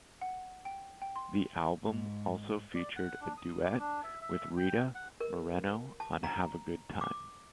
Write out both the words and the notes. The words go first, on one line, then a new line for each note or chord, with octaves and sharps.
The album also featured a duet with Rita Moreno on Have A Good Time.
F#5
G5
G5
C6
G#2
D5
F#5
D4
D#6
D6
D4
E5
E5
G5
F#5
A#4
A5
A#5
D6